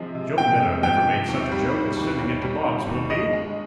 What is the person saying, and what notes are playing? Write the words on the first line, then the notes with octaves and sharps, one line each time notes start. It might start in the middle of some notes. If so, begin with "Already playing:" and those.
Joe Miller never made such a joke as sending it to Bob's will be!'
Already playing: C3 F3 G#3
C3
C3 G5
G#3
F3 G5
C3
D#2
G3
D#3
D#2
D#2
G3
D#3
D#2
G2 D#5
G#3